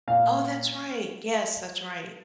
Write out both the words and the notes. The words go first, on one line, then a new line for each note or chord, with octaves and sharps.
Oh, that's right, yes, that's right.
A#2 F5